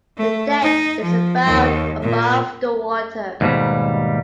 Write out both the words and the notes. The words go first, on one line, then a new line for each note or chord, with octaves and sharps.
The deck is about above the water.
A3
D#4
F3
D#2
A#2
D#2 G#2 B2 G3